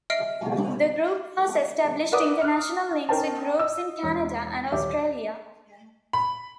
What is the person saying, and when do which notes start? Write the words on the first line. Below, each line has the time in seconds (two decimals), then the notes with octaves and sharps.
The group has established international links with groups in Canada and Australia.
0.10 D#5 E5 F6 C7 D7
2.12 A#4 B4 D5 F#5 D6 D#6
2.41 F6 F#6
3.09 C#4 D#4 A#4 C5 G5 A5
3.59 D#5 E6
4.03 E1
4.72 D#1 G4 E5
6.13 B5